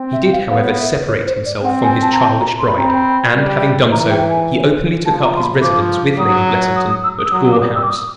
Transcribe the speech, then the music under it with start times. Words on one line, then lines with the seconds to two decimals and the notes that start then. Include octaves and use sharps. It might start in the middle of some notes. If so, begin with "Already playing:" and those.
He did, however, separate himself from his childish bride; and, having done so, he openly took up his residence with Lady Blessington at Gore House.
Already playing: C4
0.13 E5
0.32 F5
0.50 B3 F5
0.79 E5
1.07 C#5
1.27 C5
1.45 D5
1.64 C4 F#5
1.84 G#5
2.02 A5
2.12 A#5
2.21 A5
2.40 A#5
2.59 C6
2.68 B5
2.78 C4 A#5
2.87 B5
3.35 G3
3.92 E3 A#5
4.10 G5
4.29 G#5
5.05 F3 A5
5.24 A#5
5.36 C6
5.43 B5
5.62 F3 D6
6.19 F#3 D#6
6.76 D#6
6.90 D#6
7.03 E6
7.18 D#6
7.26 E6
7.32 F#3 D#6
7.52 D6
7.60 G3 D#6
7.75 E6
7.83 D6
7.90 D#6